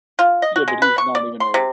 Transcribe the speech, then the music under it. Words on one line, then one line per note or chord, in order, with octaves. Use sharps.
Yeah, but he's not even a
F4
D#5
F#4
G#3
B4
C#6
D5
C6
C3